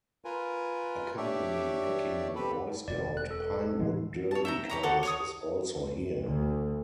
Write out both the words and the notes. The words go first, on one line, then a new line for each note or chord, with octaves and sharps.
A company making the Boy Scout Pinewood Derby cars is also here.
F4 A#4 B4 G#5
D4 G4 C#5 D5 E5
C4 G4 A4 B4 B5
E1 C4 D5
F#6
A4
A2 E3 G#3
C#5 A5
E5 G5 A#5
G4 C#5 A#5
F#4 G4 A4 C#6
C#5 C#6 D#6
D2